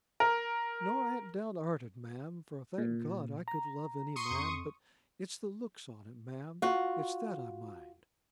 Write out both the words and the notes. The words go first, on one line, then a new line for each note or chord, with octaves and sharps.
'Nor I han't down'arted, ma'am, for thank God I could love any man, but it's the looks on it, ma'am; it's that I mind.'
A#4
A#2
A#5
C6 C#6 D#6
F2
F4 F#4